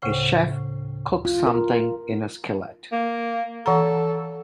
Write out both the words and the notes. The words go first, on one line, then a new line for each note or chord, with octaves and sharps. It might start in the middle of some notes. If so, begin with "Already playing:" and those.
A chef cooks something in a skillet.
D2 A2 C#3 C5 G5
F4
A#4
A#3
E3 A4 F#5 A#5